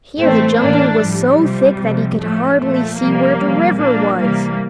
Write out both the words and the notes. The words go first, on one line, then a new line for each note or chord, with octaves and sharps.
Here the jungle was so thick that he could hardly see where the river was.
A2 E3 A3 C4
A2 E3 A#3 D4
A2 F3 G3
C3 F3
C3 F3
A2 F3 A3
A#2 F3 A3
C3 F3 G3 A#3
C3 F3
A#2 F3 A#3 D4
C3 E3 G3 A#3